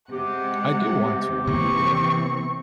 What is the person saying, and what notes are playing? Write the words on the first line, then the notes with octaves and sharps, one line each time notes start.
I do want to, yeah,
C3 G#3 G4 F#5
C3 E3 A#3 C4 C#6